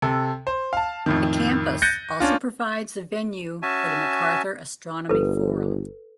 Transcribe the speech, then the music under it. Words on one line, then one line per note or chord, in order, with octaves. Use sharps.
The campus also provides the venue for the Macarthur Astronomy Forum.
C3 A4
C5
F5 A5
F2 A2 D#3
F#6 G6 A6 A#6 C#7 D#7
C#4 D4 F4
C#4 F#4 E5 G#5 A5
G1 A4 B4